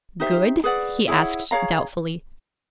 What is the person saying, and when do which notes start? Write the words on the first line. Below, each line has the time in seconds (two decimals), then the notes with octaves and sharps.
'Good?' he asked doubtfully.
0.20 D#4 G4 C5 E5
0.64 G#4 B4 D5 F#5
1.08 E4 G#4 C#5 F#5
1.51 G#4 C#5 F5 A#5